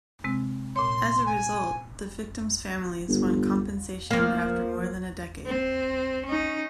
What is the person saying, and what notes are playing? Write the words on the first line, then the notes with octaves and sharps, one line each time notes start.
As a result, the victims' families won compensation after more than a decade.
C3 G#3 C4
A#2 C#5 C6
G#5
G1
F3 A#3
C4
C#4 D#4